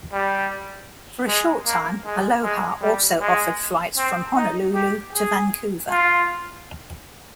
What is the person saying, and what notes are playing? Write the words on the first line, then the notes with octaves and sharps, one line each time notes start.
For a short time Aloha also offered flights from Honolulu to Vancouver.
G3
G#3
A#3
G#3
G#3
G3
G#3
C4
D#4
G4
G#4
F4